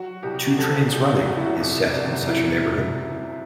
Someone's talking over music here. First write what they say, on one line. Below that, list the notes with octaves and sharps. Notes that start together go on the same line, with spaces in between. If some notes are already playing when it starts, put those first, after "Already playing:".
"Two Trains Running" is set in such a neighborhood.
Already playing: F#3 F#4
C2 G4
C3 A4
C2 G4
F#3 F#4
E4
F#4
C2
C3 D4
E4